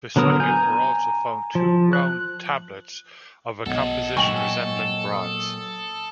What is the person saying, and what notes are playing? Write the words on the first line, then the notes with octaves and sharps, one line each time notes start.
Beside it were also found two round tablets, of a composition resembling bronze.
D3 F#3 B3 A#4 D#6
G#5 A#5 G6
F3
F#6
B1 G#4 A4 D#5 F#5
A#2 F#3 E4 F#4 G5 G#5 C#6
A4
D#6